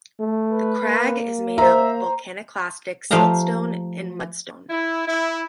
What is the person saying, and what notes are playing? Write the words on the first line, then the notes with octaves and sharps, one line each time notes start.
The crag is made of volcaniclastic siltstone and mudstone.
A3
B4
A#3
C5 E5 A#5
F3 A3 G4 F5 A#5
E4
E4